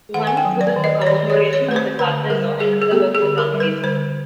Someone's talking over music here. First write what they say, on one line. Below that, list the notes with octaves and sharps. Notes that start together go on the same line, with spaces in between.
One was a commemoration of his father-in-law and another was a translation.
D#3 F#5
G#5
G5
F#3
D5
D#3
D#5
C#5
D#3 D5
C#5
D#3
C#5
A3 B4
C5
D3 B4
G3 A#4
G3 G#4
G#4
B3 G4
G#4
D3
A#4
G3
B4
D3 C5